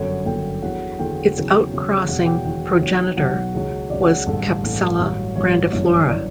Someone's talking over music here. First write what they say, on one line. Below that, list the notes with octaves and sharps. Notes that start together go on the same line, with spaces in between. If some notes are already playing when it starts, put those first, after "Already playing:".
Its outcrossing progenitor was "Capsella grandiflora".
Already playing: G1 F#2 D3 F#3 C#5
G1 F#2 D3 F#3 G5
E2 D3 F#3 F#5
E2 D3 F#3 G5
E2 C#3 F#3
E2 C#3 F#3
E1 E2 B2 F#3 F#5
G5
E1 E2 B2 F#3 G5
B1 B2 F#3
B1 B2 F#3 F#5
C#2 C#3 F#3
C#2 C#3 F#3 D5
F#5
A1 G2 D3 A4
A1 G2 D3
A1 G2 F#3
A1 G2 F#3 C#5
G1 F#2 E3
E3 D5